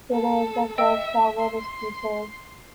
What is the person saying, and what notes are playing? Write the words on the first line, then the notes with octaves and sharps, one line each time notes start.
Today the church tower is preserved.
A4
D#5 E5 G5 E6
C6